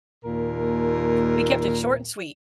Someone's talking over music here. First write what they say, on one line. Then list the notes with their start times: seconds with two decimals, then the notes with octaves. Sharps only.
"H we kept it short and sweet,"
0.25 D#2 A#2 A#4